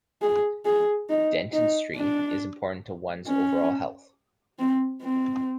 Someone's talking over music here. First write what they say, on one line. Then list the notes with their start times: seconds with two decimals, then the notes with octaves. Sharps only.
Dentistry is important to one's overall health.
0.22 G#4
0.65 G#4
1.09 D#4
1.53 D#4
1.97 D4
3.27 C#4
4.59 C4
5.02 C4